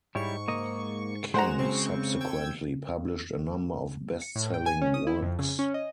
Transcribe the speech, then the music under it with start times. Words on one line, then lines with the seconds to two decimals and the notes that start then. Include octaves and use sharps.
King subsequently published a number of best-selling works.
0.15 G#2 G3 E4 C#5 C#6
0.48 A#3 D#5
1.34 G#3 F#4 C5 F#5 A#5 E7
1.59 C#3 C4 C#6
2.21 G5 E6 G#6
4.22 C#7
4.35 A2
4.54 G5
4.66 G#5
4.82 C#4
4.94 D#6
5.07 E4
5.22 F2
5.39 C#3
5.59 C#4
5.74 D#5